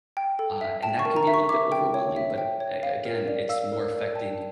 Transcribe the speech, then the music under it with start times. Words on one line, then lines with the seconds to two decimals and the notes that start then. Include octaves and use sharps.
uh, and that can be a little bit overwhelming, but a again, it's more affecting
0.17 G5
0.39 A4
0.61 E5
0.83 G5 A5
0.99 C#6
1.05 A#4
1.16 A#5
1.27 E5
1.34 C#6
1.49 E5 D6
1.72 G5
1.94 C#5
2.16 E5
2.38 G5
2.60 C#5
2.83 F5
3.05 A#4
3.28 D5
3.49 F5 E6
3.72 A#4
3.94 D5
4.15 G5 A5